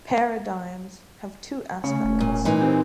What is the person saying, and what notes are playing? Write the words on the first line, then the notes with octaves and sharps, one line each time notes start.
Paradigms have two aspects.
C#3 A3 C#4
E1
A#2
A#2 E3 D#4
C4 G4